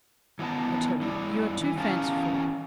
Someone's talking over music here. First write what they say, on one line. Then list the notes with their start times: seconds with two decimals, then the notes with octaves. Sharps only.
I tell you, you are too fanciful.
0.39 E3 F#3 B3 A#4 A5
1.01 G3 D4 E4
1.61 E3
1.77 E3 C#4 G4 A#4 F5 A5